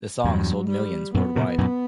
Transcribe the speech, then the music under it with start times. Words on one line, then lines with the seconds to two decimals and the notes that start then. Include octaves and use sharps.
The song sold millions worldwide.
0.24 E2 G2 F#3
0.69 G3
1.14 F#2 A#2 B3
1.36 A#2 C#3
1.58 F#2 A#2